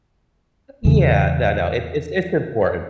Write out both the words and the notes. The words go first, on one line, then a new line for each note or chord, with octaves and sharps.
Yeah, no, no, it's it's it's important.
E2 C#3